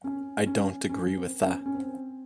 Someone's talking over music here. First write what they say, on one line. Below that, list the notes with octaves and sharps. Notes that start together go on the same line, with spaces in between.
I don't agree with tha.
C#4
C#4
C#4
C4
C#4
C#4
C4